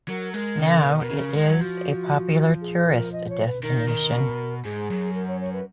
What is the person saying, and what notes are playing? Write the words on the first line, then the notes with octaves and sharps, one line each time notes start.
Now it is a popular tourist destination.
F#3 A#4
G#3 A#4
C#3
B2
B2
C#3
G#3
F#3
F3 F#4
G#4
A#4
D#5
C#5
B4
D#3 A#4
D#3
B2
G#2 G#4
F#2
A#4
C#5
C#5
B4